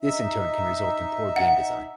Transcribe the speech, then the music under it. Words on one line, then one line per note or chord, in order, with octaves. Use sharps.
This in turn can result in poor game design.
D#4 E5
F#5